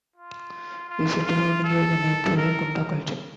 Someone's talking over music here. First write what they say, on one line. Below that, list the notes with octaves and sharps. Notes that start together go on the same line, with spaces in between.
This settlement gave the name to the Kunda culture.
F4
F4
F4
A4
A#4